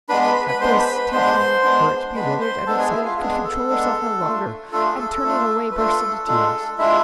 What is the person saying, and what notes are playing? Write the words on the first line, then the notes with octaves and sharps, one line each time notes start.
At this Tephany, hurt, bewildered and excited, could control herself no longer, and turning away burst into tears.
G#3 B3 D4 B4 B5
B4 B5
B4 B5
B4 B5
G#3 B3 D4 C5 C6
B4 B5
B4 B5
G#3 B3 D4 C5 C6
G#3 B3 D4
G#3 B3 D4 B4 B5
C5 C6
G#3 B3 D4 A4 A5
G#4 G#5
E4 E5
F4 F5
G#3 B3 D4 G#4
A4
G#3 B3 D4
A3 D4 F4
A3 D4 F4 A4
G#4
A4
A4
A3 D4 F4
B4
A3 D4 F4 A4
G#3 D4 F4 A4
G#3 D4 E4 F4 E5